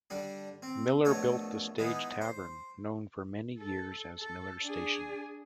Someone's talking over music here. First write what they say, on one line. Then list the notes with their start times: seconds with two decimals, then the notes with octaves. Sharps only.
Miller built the Stage Tavern, known for many years as "Miller Station".
0.10 D3 G3 D4
0.62 C4
1.05 A#1 B2 A3 A4 C#5 A5
1.78 G#3 B3 D#4 E4
2.21 C5
3.59 A4
4.20 A4
4.63 D4 G#4